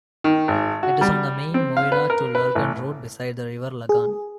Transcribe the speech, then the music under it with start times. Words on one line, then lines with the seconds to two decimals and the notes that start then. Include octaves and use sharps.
It is on the main Moira to Lurgan road, beside the River Lagan.
0.24 D#3
0.48 G#1
0.83 F#4
1.01 G3
1.54 C4
1.77 F5
1.92 B4
2.10 A#4
2.35 B4
2.55 A1
3.89 G#4